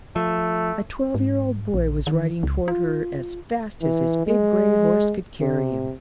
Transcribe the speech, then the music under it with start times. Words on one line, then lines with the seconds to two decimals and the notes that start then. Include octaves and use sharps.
A twelve-year-old boy was riding toward her as fast as his big gray horse could carry him.
0.16 F3 A3
1.14 G#2
1.74 A#1
2.07 D#3
2.43 C#2
2.68 F4
3.82 E3
4.26 G#3
5.40 C3